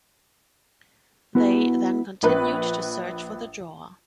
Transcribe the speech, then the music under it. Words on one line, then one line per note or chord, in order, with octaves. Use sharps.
They then continued to search for the drawer.
B3 E4 F#4 B4
A#1 B4